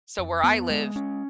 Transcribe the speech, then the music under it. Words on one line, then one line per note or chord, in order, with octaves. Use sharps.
So where I live
F2
B3
G#3
C#4